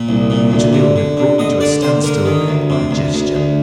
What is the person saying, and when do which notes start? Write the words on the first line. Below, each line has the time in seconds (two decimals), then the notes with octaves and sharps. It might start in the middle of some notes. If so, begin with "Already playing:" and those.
Rouletabille had brought me to a standstill by a gesture.
Already playing: A#2
0.09 C2
0.30 A#2
0.52 D2
0.73 D3
0.96 D3
1.17 D3
1.38 D3 D#5
1.60 D3 D5
1.82 D3 C5
2.04 D3 A#4
2.25 D#3
2.48 D2
2.70 C3
2.91 D2
3.13 D2
3.35 D2